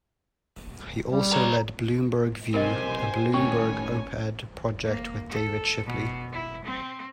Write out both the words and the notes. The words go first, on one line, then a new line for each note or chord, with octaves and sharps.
He also led Bloomberg View, a Bloomberg op-ed project, with David Shipley.
G3
B4 C#5 A#5
B1 C3 G4 A#4 C5 D#5 G#5
A2 D#3 C#4 C#5 G#5 C#6
A#3
A4
B2
E4
C4